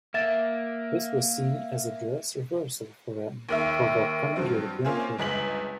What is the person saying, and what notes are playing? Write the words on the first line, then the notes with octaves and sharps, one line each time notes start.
This was seen as a dress rehearsal for the upcoming European tour.
A#3 E5 A6 E7
D#2 D#3 E5
G2 F3 F#3 C4
A#3 C4 C#4 F4 G#4 C5
G1 C#2 G#4 B6 F#7